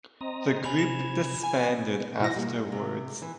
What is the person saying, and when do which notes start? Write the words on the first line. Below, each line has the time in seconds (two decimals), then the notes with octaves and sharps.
The group disbanded afterwards.
0.21 C4 D#5 A#5
0.64 C3 G#5 B5 G#6 F7
0.79 E7
1.43 G#5
2.20 B2 E3 A#6
2.36 G3 A#3
2.72 C3
3.22 E3